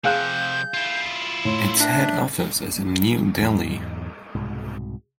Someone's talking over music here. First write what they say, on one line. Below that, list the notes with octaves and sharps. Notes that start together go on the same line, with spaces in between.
Its head office is in New Delhi.
C3 F3 G#4 F5 F#6 G6
E4 F4
A2 C6
D4 E5
E2 G#2 F#3 G#3
C2 G#2 B2